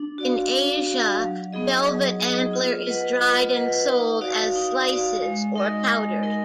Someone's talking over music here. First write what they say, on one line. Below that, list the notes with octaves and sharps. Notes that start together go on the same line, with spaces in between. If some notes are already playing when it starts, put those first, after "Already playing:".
In Asia velvet antler is dried and sold as slices or powdered.
Already playing: D4
F#4 D5 F5
D4
F#4 D5 F5
F#3
B3 D#4 G#4 D#5
F#3
B3 D#4 G#4 D#5
F4
B4 D#5 F#5
F4
B4 D#5 F#5
D#4
F#4 D5 F5
D#4
F#4 D5 F5
G#3
D#4 A#4 D#5
G#3
D#4 A#4 D#5